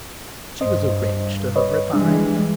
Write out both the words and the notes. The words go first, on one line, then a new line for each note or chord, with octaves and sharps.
She was a wretch to have repined.
G2 C5 D#5
B4 C#5 D#5
E3 G3 G#3 D4